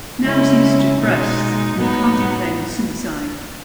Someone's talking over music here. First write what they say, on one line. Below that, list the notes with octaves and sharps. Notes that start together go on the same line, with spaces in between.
Now he's depressed, and contemplating suicide.
C#3 G#3 C#4 E4
B2 G#3 D#4
A2 F#3 B3 D#4